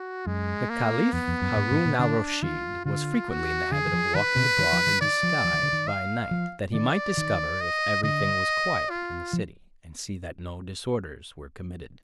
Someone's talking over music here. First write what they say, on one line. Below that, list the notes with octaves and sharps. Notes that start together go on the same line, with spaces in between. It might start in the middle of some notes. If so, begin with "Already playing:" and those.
The caliph Haroon al Rusheed was frequently in the habit of walking abroad in disguise by night, that he might discover if every thing was quiet in the city, and see that no disorders were committed.
Already playing: F#4
F#2 G#3
A#3
F2 B3
F2
F#2
G#2
G#2
A#2
D3 D4
D#3 F4
D3 F4
F#4
D3 G#4
D#3
F3
D#3 B4
B2
D#3
F3
D#3
D#3 D5
F3
F3
D#3
D3
D#3
F5
F3
D#3 D5
D#3
D#5
D3 D#5
F4
F3